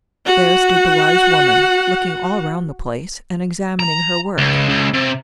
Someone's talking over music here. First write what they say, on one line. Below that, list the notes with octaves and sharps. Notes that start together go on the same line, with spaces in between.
There stood the wise woman, looking all round the place, and examining her work.
F#4 F#5
A#5
C#2
C#2
C3